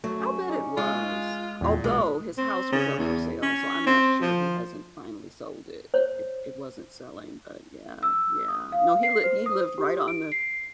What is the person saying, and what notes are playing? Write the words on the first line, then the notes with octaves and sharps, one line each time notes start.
I bet it was, although his house was up for sale, so I'm not sure he hasn't finally sold it it it wasn't selling, but yeah, yeah, no, he lived he lived right on the
F#3 A3
C#4
D#4 G#4 D5
G#3 F4
E2 A#2 G5
B1 B2 G#3 G#5
C4
C#3
E2
C#4
C4
F3
C5 C#5
E6
D#6
F5
C7
C5
D#6
G4
D7
C7